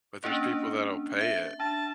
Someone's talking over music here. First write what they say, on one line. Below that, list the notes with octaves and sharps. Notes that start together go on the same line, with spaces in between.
But there's people that'll pay it,
A#3 C#4 D4
E5
D4 A5